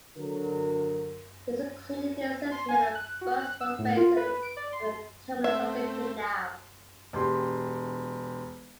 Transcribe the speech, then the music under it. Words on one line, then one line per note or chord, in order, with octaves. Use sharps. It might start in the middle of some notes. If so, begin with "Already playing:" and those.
This included an assessment of Bugsworth Basin, at the terminus of the canal.
D3 F#3 A#4
C6
G#5
F#6
F#4
F#6
E6
A2
F4
B4
D7
D5
C6
A3 C4 E5
E1 G4 C6